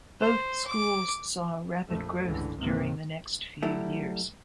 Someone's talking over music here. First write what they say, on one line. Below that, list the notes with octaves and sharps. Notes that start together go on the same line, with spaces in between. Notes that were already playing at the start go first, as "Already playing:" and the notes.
Both schools saw rapid growth during the next few years.
C5
D6
A#1 F2 A3
C#2 G2 D3 E3
C#2 G#2 C3 D#3 A#3
F#3 G3 A3 E4